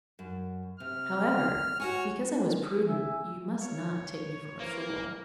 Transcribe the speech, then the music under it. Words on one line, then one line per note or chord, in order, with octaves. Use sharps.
However, because I was prudent you must not take me for a fool.
F#2
C3 F6
F#4 C#5 F#5 G#5
E3
E5 G#5
C#5 F5
E3 A#3 B4 C5 F5